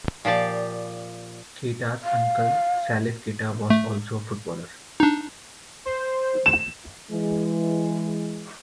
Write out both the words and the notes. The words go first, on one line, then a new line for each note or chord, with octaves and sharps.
Keita's uncle, Salif Keita, was also a footballer.
A#2 F3 G4 D5
F5
A3
D4 D#4
C5
E7
E3 G#3